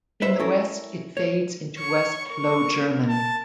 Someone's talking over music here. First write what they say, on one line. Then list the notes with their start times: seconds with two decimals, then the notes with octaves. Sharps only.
In the West it fades into West Low German.
0.22 B4 C5 E5
0.39 C#4 E4 A4 A#4
1.17 C#5
1.78 C#5 C#6
2.30 A#4 C#6
3.08 A5